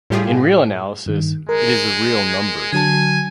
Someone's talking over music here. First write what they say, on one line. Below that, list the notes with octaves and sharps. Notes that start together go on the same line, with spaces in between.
In real analysis, it is the real numbers.
A2 G3 F4 G4 G#4
G2 D#3
G#3 A#4
D3 F#3 G#5 A5